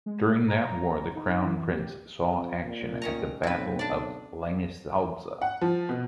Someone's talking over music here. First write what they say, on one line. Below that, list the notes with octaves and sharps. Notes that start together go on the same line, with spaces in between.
During that war, the Crown Prince saw action at the Battle of Langensalza.
G#3
A#5
D#4
E3
G4
F2
A#2
D#3 C#4 A#5
B1 C4 B4
D4 D5
F#5
F3
B2